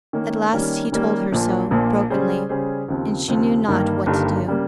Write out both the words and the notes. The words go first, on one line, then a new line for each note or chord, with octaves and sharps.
At last he told her so, brokenly, and she knew not what to do.
D#3 A#3 C#4
D#3 G3 A#3 C#4
D#3 G3 A#3 C#4
A#1 A#2 F3 A#3
A#1 A#2 F3 A#3
C#3 G3 C#4 G#4 C5
C#3 G3 C#4 G#4 C5
D#2 C#3 F3 C4
D#2 C#3 F3 C4
G1 G2 D#3 G3 A#3
G1 G2 D#3 G3 A#3
C#3 G3 A#3